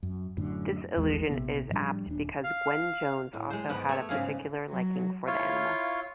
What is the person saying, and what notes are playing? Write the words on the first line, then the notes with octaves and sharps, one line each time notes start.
This allusion is apt because Gwynn-Jones also had a particular liking for the animal.
F#2
F#2 A2 D3
A1 E2 E3 G#3
A#1 C3 B3
A2 F3 G3 D4
D#1 D4
F5
A2
G#3 C5
G#2 B3
A3 C#5
G#2 C#3 G#4 F5
F#3
E4 F4 C#5 F5